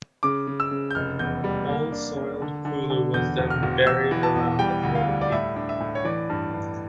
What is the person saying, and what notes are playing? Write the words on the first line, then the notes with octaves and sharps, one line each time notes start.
All soiled pulu was then buried around the hale pea.
C#3 D6
C#3
E6
C#3
G6
F1 F6
E2 G6
G3
A#3
D4
A#3
D3
D3
D3
E2 G6
E1
F6
E1
E1 E6
E3
A5
E2
G3 G5
D2
F5
G3
D5
A2 E5
D4
E5
A2
C#5
E3 D5
G2
G2